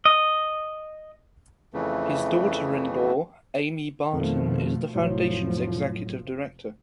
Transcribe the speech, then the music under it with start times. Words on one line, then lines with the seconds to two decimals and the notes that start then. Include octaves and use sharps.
His daughter-in-law, Amy Barton, is the Foundation's Executive Director.
0.05 D#5
1.74 F2 C#3 E3 A3
4.13 F2 B2 D#3 F3 A3
4.95 F1 A2 F3 F#3